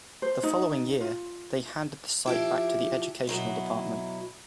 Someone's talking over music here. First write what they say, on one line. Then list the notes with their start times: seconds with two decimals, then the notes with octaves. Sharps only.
The following year, they handed the site back to the Education Department.
0.22 C5
0.43 D#4
1.01 F4
2.26 F3 E4 G4
3.27 B2 F#3 E4